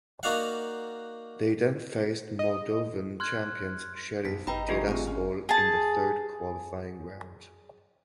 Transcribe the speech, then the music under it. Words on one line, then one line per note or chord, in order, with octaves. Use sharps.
They then faced Moldovan champions Sheriff Tiraspol in the third qualifying round.
A#3 D#4 F#4 D5 F5 F#5
D#5
C6 F6 F#6 G#6
B1 F#2 B6
G#1 D#4 B4 D#5 G5 A#5 B5
D3 E3 G#3 F4 G4 G#4
A3 C4 G#5
C#4
G#4 A5